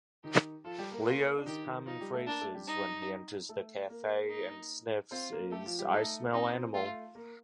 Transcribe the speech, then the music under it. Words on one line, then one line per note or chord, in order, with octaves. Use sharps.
Leo's common phrases when he enters the cafe and sniffs is I smell animal!
D#3 D#4 G4
F3 F4 A4
G3 G4
A#3 A#4
F4
D4
D#3 D#4 G4
D#3 D#4
F3 D#4 F4
G3 G4
A3 A4
A#3 D4 A#4
A3 A4
G3 G4
D#4
A3 A4
A#3 A#4
D#4
C4 F4 C5
A#3 A#4
A3 G4 A4
F3 F4
G3 G4
A3 D#4 A4
C4 D#4 C5
C4 C5
A3 F4 A4
A#3 A#4